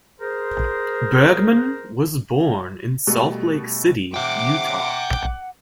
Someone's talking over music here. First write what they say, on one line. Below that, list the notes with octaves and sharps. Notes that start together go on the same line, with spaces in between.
Bergman was born in Salt Lake City, Utah.
G#4 A#4 C5
B2 G3 A3
E5 F#5 G5 D6